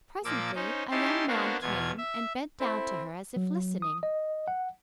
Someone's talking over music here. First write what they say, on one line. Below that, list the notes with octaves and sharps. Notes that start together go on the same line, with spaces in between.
Presently a young man came and bent down to her as if listening.
A#2 F3 A#3 D6 E6
C#4 D#4 C5
C#4 D#4 E4 G4 A5 C6
A#3 B3 D4 F#4 C5 F5
E2 B2 F4 G#6
E5
C4 E4 A4 C5
F#3
D#6
D#5
F#5